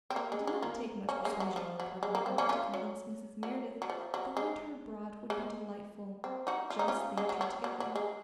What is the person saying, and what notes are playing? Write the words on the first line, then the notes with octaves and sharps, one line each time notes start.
It did not take much persuasion on the part of Margaret to convince Mrs. Merideth that a winter abroad would be delightful--just they two together.
C4
A#3
G#3
G#3
A#3
A#3 C#4
G#3
F#3
F3
F#3
G#3
A#3
C4
A#3 C#4
C#4 F4
F#3
F#3
F#3
F3
F#3
G#3
G#3
C4
D#4 F#4
F4
D#4
C#4 F4
G#3
F#3
F#3
F#3
F#3
G#3